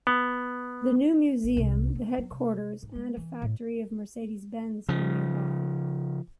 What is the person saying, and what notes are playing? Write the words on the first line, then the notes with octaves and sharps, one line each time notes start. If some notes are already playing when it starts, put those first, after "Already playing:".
The new museum, the headquarters and a factory of Mercedes-Benz are nearby.
B3
G#1
C2
D3
F#3
C3
G#2
G#3
E3
A2
C#3 F3